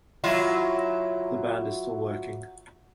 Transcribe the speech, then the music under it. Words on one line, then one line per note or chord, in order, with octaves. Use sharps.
The band is still working.
F#3 E4 F4